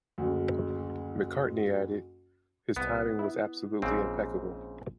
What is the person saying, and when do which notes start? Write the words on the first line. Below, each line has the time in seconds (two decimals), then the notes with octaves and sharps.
McCartney added: his timing was absolutely impeccable.
0.18 F#1 D2
2.76 C2 B3
3.19 E4
3.82 A#1 G#2 C#3 C4